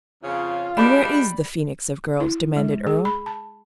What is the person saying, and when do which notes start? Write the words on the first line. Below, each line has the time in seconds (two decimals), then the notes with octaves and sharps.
"And where is the phoenix of girls?" demanded Earle.
0.24 F2 C#3 F4
0.77 G3 G#3 D4 D5 B5
2.20 E4
2.56 G#3
2.87 G#4
3.05 B5
3.26 A5